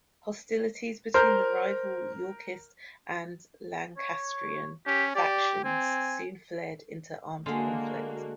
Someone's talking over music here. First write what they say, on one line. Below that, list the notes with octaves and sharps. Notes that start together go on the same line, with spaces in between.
Hostilities between the rival Yorkist and Lancastrian factions soon flared into armed conflict.
A#4 C5 F6 G6
C#5
C#4 G4
G4 D5
C4 G#5
D3 G#3 A#3 F#4 F5